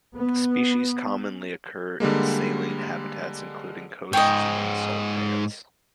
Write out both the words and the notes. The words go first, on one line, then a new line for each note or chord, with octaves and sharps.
The species commonly occur in saline habitats, including coasts and salt pans.
B3
D3 G3 G#3 A#3
G#2 C#5 D#5 G5